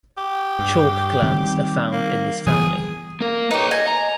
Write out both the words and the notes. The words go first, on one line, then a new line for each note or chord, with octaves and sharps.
Chalk glands are found in this family.
G4
G2
D#3 G3 C4
A#3
E3 G3 B3 G#4
A#3 A#4
D#4 G4 B4 C#5
D#5 G#5
A#5